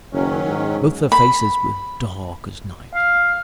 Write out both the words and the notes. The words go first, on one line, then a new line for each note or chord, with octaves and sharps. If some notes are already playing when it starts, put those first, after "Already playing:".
Both their faces were dark as night.
F#1 D#3 F#3 C#4
G#2
B5
F5